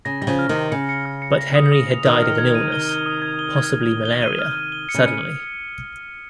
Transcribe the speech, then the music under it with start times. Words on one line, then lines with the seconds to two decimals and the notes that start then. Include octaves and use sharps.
But Henry had died of an illness; possibly Malaria, suddenly.
0.05 C#3 A#6
0.22 G3 A#6
0.27 C#3 F3
0.39 F6
0.49 C3 D#3
0.55 A#6
0.71 C#3 C#7
0.89 C#7
1.06 F6
1.22 C#7
1.39 A#6
1.55 D#6
1.72 D#6
1.88 F7
2.05 C3 D#3 F6
2.22 F6
2.38 G#6
2.55 D#7
2.72 G7
2.89 G7
3.06 D#6
3.22 G#6
3.39 G7
3.56 G#6
3.72 G#6
3.89 G7
4.05 G7
4.22 D#7
4.39 F6
4.55 F6
4.72 G7
4.89 C#7
4.94 C#3
5.06 C#7